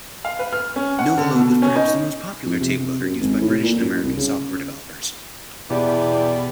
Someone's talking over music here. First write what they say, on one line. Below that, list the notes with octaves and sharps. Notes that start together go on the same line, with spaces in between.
Novaload was perhaps the most popular tape-loader used by British and American software developers.
F5
B4
F6
C#4
F#5
D3
B2
C#4
D#4
F2
C3
C3
F#2
G#1
A2
A#2
F#2
C2
C#3
E2 B2 E3 G4 D5